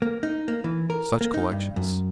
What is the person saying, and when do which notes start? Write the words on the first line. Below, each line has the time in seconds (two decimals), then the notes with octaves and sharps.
Such collections!
0.02 A#3
0.23 D#4
0.48 A#3
0.64 E3
0.90 A#4
1.21 A#3
1.34 D#4
1.52 G2
1.76 F#2